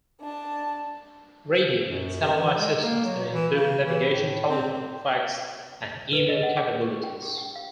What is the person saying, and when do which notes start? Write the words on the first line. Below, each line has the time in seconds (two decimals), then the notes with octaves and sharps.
Radio and satellite systems can include navigation, telephone, fax, and email capabilities.
0.21 D4 A5
1.82 F#2
2.21 C3
2.36 E3
2.59 G#3
2.82 A#3
3.04 F#3
3.32 E3
3.55 C#3
3.86 E3
4.09 A2
4.50 C4
6.13 B4
6.29 D#5
6.43 F#5
6.56 G#4
6.81 C#6
7.04 G5
7.22 G4
7.38 G5
7.56 F5